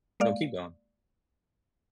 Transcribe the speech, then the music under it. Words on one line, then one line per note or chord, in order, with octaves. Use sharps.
No, keep going.
G#3 A#3 D5 F5